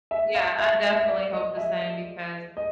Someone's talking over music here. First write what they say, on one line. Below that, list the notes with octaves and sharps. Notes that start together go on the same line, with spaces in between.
Yeah, I definitely hope the same, because
E5
F5
E5
E5
D5
D#5
E5
D#5